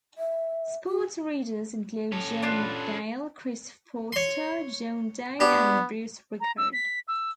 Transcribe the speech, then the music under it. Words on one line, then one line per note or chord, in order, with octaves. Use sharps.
Sports readers include John McNeil, Chris Forster, John Day and Bruce Rickard.
E5
F#4
C#4 A4
D4 F4 B4
C#5 C6
B3 D4 G4
A#5
E6
B6
E6